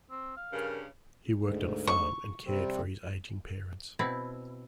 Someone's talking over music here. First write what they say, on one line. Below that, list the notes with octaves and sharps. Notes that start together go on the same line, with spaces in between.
He worked on a farm and cared for his aging parents.
C4
F5
G2 C#3 A#4
D2 G#2
C#6
C3 G3 C4
B2 C4 E4